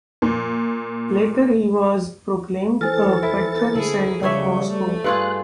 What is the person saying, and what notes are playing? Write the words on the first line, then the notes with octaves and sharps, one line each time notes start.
Later he was proclaimed a patron saint of Moscow.
A#2
E3 A4 C5 G#5 F6 A6
E4
D3 E4 G#4 A4
C#3 G3 D4 C#5 E5
A3
G2 F4 G#4 F#6